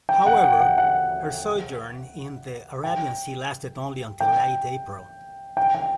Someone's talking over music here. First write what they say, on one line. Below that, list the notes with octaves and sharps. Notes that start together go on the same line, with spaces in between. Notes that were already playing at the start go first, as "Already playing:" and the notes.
However, her sojourn in the Arabian Sea lasted only until late April.
G5
F#5
G5
F#5
F#5
G5
G5
G5
G5